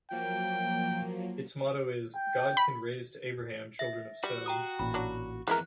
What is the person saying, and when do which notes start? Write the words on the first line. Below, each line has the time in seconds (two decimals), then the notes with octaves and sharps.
Its motto is "God Can Raise to Abraham Children of Stone".
0.11 F3 F#3 A#3 G5
2.15 G5
2.57 B5
3.79 E5 A#6
4.24 G3 F#4
4.46 G5 A#5 D#6
4.79 A1 A#2 B5
4.94 F#3 D4
5.48 F2 E3 G#3 E4 A#4 F#6